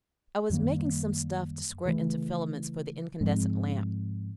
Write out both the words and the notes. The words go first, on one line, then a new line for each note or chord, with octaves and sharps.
I was making some stuff to squirt into filaments for the incandescent lamp.
F#2 D#3 G3 A#3
C#3 E3 A3
G#2 F3 G#3 C4